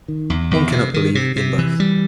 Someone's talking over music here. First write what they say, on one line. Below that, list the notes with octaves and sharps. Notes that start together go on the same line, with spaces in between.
One cannot believe in both.
D#3
E2
E2
C3
D#3
C3
C3
E3
G3